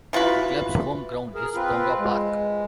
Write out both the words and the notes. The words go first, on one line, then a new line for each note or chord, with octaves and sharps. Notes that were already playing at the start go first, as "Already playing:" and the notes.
The club's home ground is Tonga Park.
E3 F4 F#4 B4
G#4 A#4
C4 F4 B4
G#3